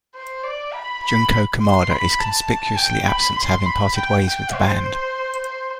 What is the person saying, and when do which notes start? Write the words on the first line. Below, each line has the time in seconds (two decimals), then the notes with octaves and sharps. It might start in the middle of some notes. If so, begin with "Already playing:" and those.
Junko Kamada is conspicuously absent, having parted ways with the band.
0.15 C5
0.44 D5
0.73 B5
1.03 B5
1.62 C6
1.90 B5
2.19 A5
2.77 G5
3.08 B5
3.36 C6
3.66 B5
3.95 G5
4.24 G5
4.53 C5
5.41 C5